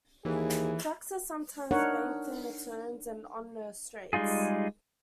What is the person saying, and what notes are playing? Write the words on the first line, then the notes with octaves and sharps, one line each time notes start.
Tracks are sometimes banked in the turns and on the straights.
D#2 E3 G#4
D4 D#4 A#4 C#5 F#5
G3 G#3 D#4 F4 G#4